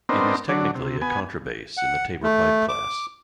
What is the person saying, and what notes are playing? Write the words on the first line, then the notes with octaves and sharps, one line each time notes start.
It is technically a contrabass in the tabor pipe class.
B3 C4 D4 D#4 A#4 C5
D3 F#3 D4
C3
B3 G#5
F#5
A3
D6